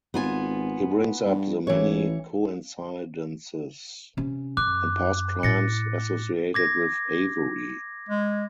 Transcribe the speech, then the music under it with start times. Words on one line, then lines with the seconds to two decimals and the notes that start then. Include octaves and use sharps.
He brings up the many coincidences and past crimes associated with Avery.
0.14 G#1 B3 F4 G#5
1.26 G2
1.67 A1 E3 C#5
4.17 C3 C#4
4.57 F#2 D6 F#6
5.43 A2 A6 A#6 C#7
6.54 D6 G#6 A#6
8.09 G#3